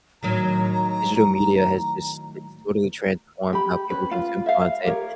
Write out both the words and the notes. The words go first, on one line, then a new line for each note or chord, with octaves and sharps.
digital media has just it's totally transformed how people consume content.
A2 D#3 F#3 A#5
G4 B5
C#4 B4
F4
E5 F5
G4 A#4 C#5